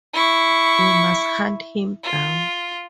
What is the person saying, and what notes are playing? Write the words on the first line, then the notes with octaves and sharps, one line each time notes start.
We must hunt him down.
E4 C#6
F4